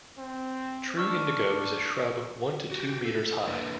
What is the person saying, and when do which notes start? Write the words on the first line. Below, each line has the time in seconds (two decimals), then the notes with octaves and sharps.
True indigo is a shrub one to two meters high.
0.18 C4
0.97 D4 C#6 E6 F6
2.72 F#4 G4
3.05 A4
3.47 A#3 D4 E4 B4